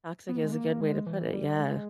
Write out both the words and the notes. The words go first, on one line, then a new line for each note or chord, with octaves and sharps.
Toxic is a good way to put it, yeah.
B3
A#3
G#3
A#3
G#3
E3
G3
G#3